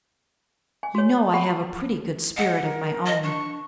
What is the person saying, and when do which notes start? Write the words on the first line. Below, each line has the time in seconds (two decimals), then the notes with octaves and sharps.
You know I have a pretty good spirit of my own.
0.83 G#5
0.95 F#4 C#5
1.34 G4 F#5 G5 B5
2.37 D#5 F#5
2.63 A#4
3.06 D#5
3.23 D4 C#6